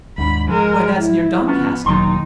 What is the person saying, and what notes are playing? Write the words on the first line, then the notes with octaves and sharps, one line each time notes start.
"Why, that's near Doncaster."
D#2 G#2 D4 B5
F3 G#3 A#4
E4
B3 C#4 F4
E1 D#2 D#3 F#3 A#3 D#4 C6